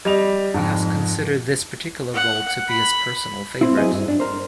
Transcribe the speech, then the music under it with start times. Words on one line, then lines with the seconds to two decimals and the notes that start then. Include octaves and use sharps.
He has considered this particular role to be his personal favorite.
0.05 G3 D#5 F7
0.54 F2 G#2
2.14 F#5
2.68 B5
3.61 C4 E4
3.77 F#3 C4 E4 G#4 D#5
3.92 G2
4.08 D4
4.20 A#4 C5